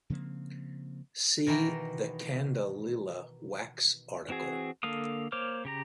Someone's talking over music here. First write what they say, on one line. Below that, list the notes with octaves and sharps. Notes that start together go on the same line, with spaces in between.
See the candelilla wax article.
C#3 F3 A#3 C4
B2 D#3 E3 D#4
E3 C4 F#4 G#4
D3 A#3 A4 F5 D#6
A#3 C5 C#5 D6 F6
C#3 G4 A#5